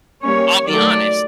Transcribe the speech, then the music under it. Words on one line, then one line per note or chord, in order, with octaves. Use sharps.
I'll be honest,
G3 A#3 C#4 C#5
D#3 F#3 A3 D5